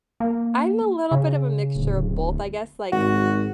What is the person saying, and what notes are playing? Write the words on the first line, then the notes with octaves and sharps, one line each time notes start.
I'm a little bit of a mixture of both, I guess, like,
A#3
C#3
D1
G#1 F#4